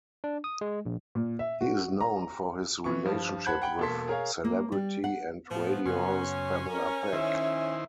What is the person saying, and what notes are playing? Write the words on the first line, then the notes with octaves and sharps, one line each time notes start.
He is known for his relationship with celebrity and radio host Pamela Peck.
D4
D#6
G#3
A#1
A#2
E5
F#4
A#5
E3 B3 C#6
G2 F3
C5 F#5 A5 B5 F#6 G#6
F#5 G5 B5
E1 A#3 A4 C6 B6
G#4 A#4 C#5 F5
A#3
G3
F#5
A2 F3 B3 F4
F#2 C#3 C#4 C6
A#4
D#3 E4 C5 E5